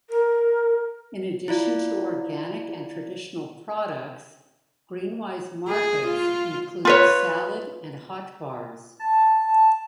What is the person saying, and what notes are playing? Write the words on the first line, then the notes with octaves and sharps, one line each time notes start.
In addition to organic and traditional products, GreenWise Markets include salad and hot bars.
A#4
E4 F4 D5
G#4
F4
F4 B4 C#5
A5